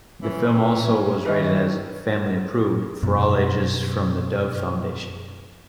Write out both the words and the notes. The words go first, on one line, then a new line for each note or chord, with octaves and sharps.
The film also was rated as "Family-Approved" for all ages from the Dove Foundation.
E3 C#4
D#3 E3 B4 C#5 D#5
F#2 B2